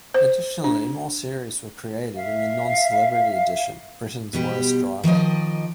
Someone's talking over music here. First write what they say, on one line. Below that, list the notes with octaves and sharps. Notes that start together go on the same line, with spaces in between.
Additionally, more series were created in the non-celebrity edition, Britain's Worst Driver.
C5
D4
E5 F5
B2 G3 G4
D#3 F3 D5 D#5